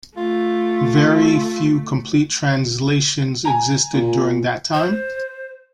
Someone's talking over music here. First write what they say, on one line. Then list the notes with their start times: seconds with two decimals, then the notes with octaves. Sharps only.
Very few complete translations existed during that time.
0.17 A3 F4
3.45 G#5 A#5
3.93 A#2
4.74 C5